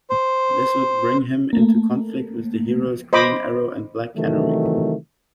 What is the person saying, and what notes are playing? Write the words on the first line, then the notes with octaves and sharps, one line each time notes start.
This would bring him into conflict with the heroes Green Arrow and Black Canary.
C5
A3 A#3
C5 D#5 B5 D6
C3 D#3 E3 F#3 A3